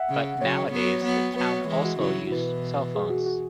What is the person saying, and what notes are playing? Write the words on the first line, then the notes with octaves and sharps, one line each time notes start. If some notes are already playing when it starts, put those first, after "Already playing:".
But nowadays the town also used cellphones.
Already playing: E5 F#5
C#3
C#3 F#3 C#5
C#5
F#3 B3
F#3 B3
F#3 B3 B4
C#5
E3 G#3
F#4
C#3 F#3 E4
B2 E3 B4
G#4
F#4
F#4